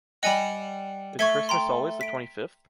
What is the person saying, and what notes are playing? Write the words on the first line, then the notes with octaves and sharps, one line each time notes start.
Is Christmas always the twenty fifth?
G3 D#5 F#5 G#5 B5
A3 C#6 G#6 B6
G5 A#5 C6
B6 D7